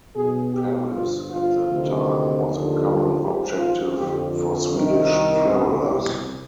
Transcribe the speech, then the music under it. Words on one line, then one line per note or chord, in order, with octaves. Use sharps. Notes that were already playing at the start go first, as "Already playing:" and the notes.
Paris at that time was a common objective for Swedish travelers.
B1 B2 G#4
G4
G1 G2 F3 F4
F4
D2 C3 D#3
D#2 D3 F3
G#1 G#2 F3 G4
F4
F2 D3 F3 G4
C2 C3 D#3
C2 B2 B3
G4